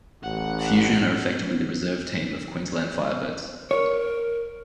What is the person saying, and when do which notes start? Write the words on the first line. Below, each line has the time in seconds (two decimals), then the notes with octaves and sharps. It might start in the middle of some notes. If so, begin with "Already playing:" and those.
Fusion are effectively the reserve team of Queensland Firebirds.
0.23 A1 F#5
3.71 A#4 C#5